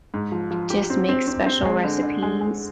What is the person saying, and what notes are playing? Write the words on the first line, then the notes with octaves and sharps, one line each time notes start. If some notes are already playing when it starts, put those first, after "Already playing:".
just make special recipes,
G#2
F3
F3
G4
C4
C4
C4
C4
G#3
D3
D3
G#3
G#3